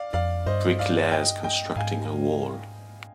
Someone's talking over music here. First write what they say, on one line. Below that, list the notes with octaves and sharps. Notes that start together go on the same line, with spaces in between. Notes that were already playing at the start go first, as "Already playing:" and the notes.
Brick layers constructing a wall.
Already playing: D5 F5
F2 D5 F5
G2 C5 D#5
D5 F5
D#5 G5
D#5 G5
G#2 F5 G#5